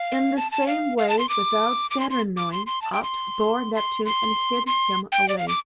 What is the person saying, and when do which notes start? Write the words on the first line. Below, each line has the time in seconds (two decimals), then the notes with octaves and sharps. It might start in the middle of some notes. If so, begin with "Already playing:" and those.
In the same way without Saturn knowing, Ops bore Neptune and hid him away.
Already playing: F5
0.37 A5
0.52 A5
0.67 F5
0.98 F5
1.09 A5
1.19 C6
1.29 D6
1.91 D6
2.00 C6
2.10 C6
2.37 D6
2.52 C6
2.67 C6
2.82 A5
2.93 G5
3.03 C6
3.75 C6
4.05 C6
4.67 C6
5.12 G5
5.29 D5
5.38 F5
5.48 D6